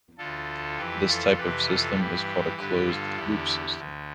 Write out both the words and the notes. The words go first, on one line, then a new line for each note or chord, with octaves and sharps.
This type of system is called a closed-loop system.
D2 D3 F4 A4
F2 E3 G4 B4
F4 A4
F2 C3 E3 G4 B4
F4 A4
G2 E3 E4 G4
G2 D3 G4 B4
F4 A4
E2 D3 E4 G4
D2 D3